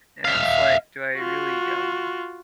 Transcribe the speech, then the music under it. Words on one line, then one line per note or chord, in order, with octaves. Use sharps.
And, it's like, do I really, um,
E5 F5
F4 F#4